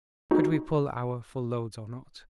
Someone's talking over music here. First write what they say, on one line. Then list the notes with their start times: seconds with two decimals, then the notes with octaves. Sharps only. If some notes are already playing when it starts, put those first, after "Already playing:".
Could we pull our full loads or not?
0.31 D#4 F#4